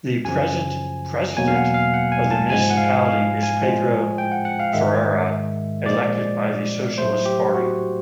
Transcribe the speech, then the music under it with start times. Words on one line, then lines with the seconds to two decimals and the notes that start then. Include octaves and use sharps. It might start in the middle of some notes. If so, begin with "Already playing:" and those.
The present "president" of the municipality is Pedro Ferreira, elected by the Socialist Party.
0.25 F#2 C#3 F3 G#5
1.37 E2 B2 F#3 A#3 G#5
1.48 F5
1.56 F#5
1.74 F5
1.94 F#5
2.12 G#5
2.31 A5
2.50 G#2 F3 G#3 G#5
2.70 F#5
2.77 F5
3.05 F5
3.43 G#5
3.62 A2 F3 G#3
4.18 G5
4.32 F#5
4.45 F#5
4.60 F5
4.73 G#2 D#3 G#3 E5
5.86 A#2 F3 G#3 D5
6.98 A2 F#3 A3 C5
7.26 G4
7.54 F#4